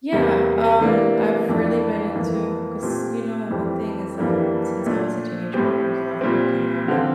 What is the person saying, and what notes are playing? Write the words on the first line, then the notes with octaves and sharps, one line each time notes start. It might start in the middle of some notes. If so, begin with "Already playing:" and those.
Yeah, um, I've really been into 'cause, you know, one thing is, um, since I was a teenager, I've always loved working out and
E2 C3 G3 A#3
C3 E3 A#3 D4
F2 E3 A3 D4 F4
F2 E3 A#3
A#2 A3 C4 G4
F2 E3 G3 C4 G4
F2 E3 G3 A#3 D4
A#2 A3 D4
A2 G3 C4 G4
A#2 G3 C4
D3 F3 C4 F4